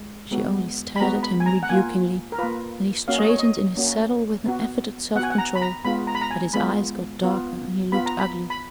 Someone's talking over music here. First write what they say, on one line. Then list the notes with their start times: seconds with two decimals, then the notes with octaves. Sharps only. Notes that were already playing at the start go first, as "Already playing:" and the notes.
She only stared at him rebukingly, and he straightened in his saddle with an effort at self-control--but his eyes got darker and he looked ugly.
Already playing: G#3
0.31 G#3 B3 F#4
0.96 B5
1.00 G#3 B3 F#4 A#5
1.23 B5
1.40 G#5
1.46 A#5
1.63 F#5
1.69 A#3 F4 G#5
2.32 A#4
2.39 A#3 F4 B4
3.08 A#3 C#4 F#4 F5
3.18 D#5
3.28 C#5
3.39 D#5
3.77 A#3 C#4 F#4
4.46 B3 F#4
5.15 B3 F#5
5.19 F#4 G#5
5.30 F#5
5.38 A#5
5.55 B5
5.62 A#5
5.85 G#3 B3 F4 B5
6.07 A#5
6.15 B5
6.21 A#5
6.31 G#5
6.53 G#3 B3 F4 B5
7.23 B3 F4
7.92 B3 F4 B5
8.06 A#5
8.20 B5
8.50 B5